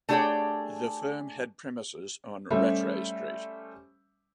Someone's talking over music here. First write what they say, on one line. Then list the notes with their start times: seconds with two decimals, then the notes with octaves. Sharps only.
The firm had premises on Rattray Street.
0.09 A3 D4 G4 G#4 C#5 G5
2.50 G3 A3 C#4 C5 E5